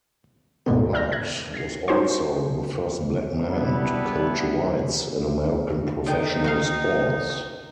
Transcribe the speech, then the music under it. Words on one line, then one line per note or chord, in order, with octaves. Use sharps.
Pollard was also the first black man to coach whites in American professional sports.
D2 G#2 B2 D3 B3
D5 E5 F6 G6 A#6
F#6 G#6 A#6
G#6 A#6 C7
C#4 D#4 F#4 C5 C#5 C6
G3 B3 D4 E4
D3 B3 D#4 G5
F#4 D#5 F5